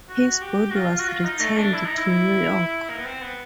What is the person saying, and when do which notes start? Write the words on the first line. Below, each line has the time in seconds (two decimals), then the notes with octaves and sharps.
His body was returned to New York.
0.09 F#4
0.41 G4
0.70 F#4
0.75 F4
0.99 F#4
1.08 F4
1.25 D#4
1.41 A3
1.57 D4
1.74 E4
1.86 D#4
1.98 E4
2.90 A#3
2.98 B3
3.05 C4
3.22 B3